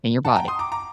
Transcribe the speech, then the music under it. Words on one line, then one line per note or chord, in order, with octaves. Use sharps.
in your body.
F#5 A5
G5 A#5
C6 D#6
A#5 D6
A#5 D6